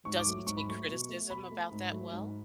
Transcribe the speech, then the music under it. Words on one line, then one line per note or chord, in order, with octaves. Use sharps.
Does he take criticism about that well?
G#2 C#6
D6
F#3 A3
G#2 C#6
B5
F#3 A3 C#6
B2
A3
B2 B5
A3
G#2
F#3 A3
G#2